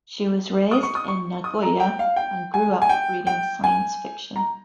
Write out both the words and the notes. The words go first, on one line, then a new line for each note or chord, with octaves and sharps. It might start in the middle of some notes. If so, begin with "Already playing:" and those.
She was raised in Nagoya and grew up reading science fiction.
D#6
C#6
D#6
C#6
D#6
A#5
G5
F5
G5
G#5
G#5
G5
G5
G#5
A#5